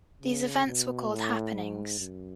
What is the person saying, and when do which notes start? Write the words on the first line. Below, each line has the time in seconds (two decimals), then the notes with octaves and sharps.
These events were called "happenings."...
0.22 C#3
0.66 B2
1.11 A2
1.55 G#2
1.99 F#2